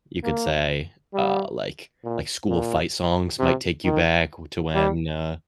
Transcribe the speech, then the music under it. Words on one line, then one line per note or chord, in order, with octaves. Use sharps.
you could say, uh, like like school fight songs might take you back wh to when, uh,
A#3
G3
A#2
A#2
C3
D#3
G3